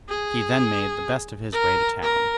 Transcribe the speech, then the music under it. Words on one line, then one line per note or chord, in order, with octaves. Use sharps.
He then made the best of his way to town.
G#4
A#4
A#4